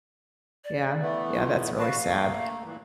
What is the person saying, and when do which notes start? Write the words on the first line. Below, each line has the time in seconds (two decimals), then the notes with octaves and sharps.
Yeah. Yeah, that's really sad,
0.65 D5
1.01 E3 A3 B3
1.34 F4
1.79 F#4 B4 F5 A5
2.04 A3 A#3
2.64 A#2 E3